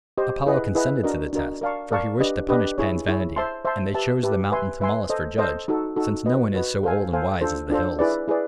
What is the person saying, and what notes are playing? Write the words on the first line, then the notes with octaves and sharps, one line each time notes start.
Apollo consented to the test, for he wished to punish Pan's vanity, and they chose the mountain Tmolus for judge, since no one is so old and wise as the hills.
G4 C5 D#5
E4 G#4 B4 D#5 F#5
E4 G#4 B4 D#5 F#5
D4 F#4 A#4 D#5
D4 F#4 A#4 D#5
A#4 D5 F5 A5 C#6
A#4 D5 F5 A5 C#6
D4 G4 B4 D#5
D4 G4 B4 D#5
E4 G#4 C#5
E4 G#4 C#5
C5 E5 A5 C6
C5 E5 A5 C6
G4 B4 E5 A5
G4 B4 E5 A5
B4 E5 G#5 C6
B4 E5 G#5 C6
A4 C5 D#5
A4 C5 D#5
D#4 F#4 A4
D#4 F#4 A4
F#4 B4 D#5
F#4 B4 D#5
A4 C5 F5 G#5
A4 C5 F5 G#5
D4 F4 A4 C5
D4 F4 A4 C5
E4 G#4 B4 D5
E4 G#4 B4 D5